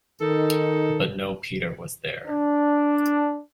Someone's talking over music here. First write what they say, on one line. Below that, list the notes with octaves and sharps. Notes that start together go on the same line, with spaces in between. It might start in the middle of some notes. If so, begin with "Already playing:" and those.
But no Peter was there.
D#3 D#4 A4
D4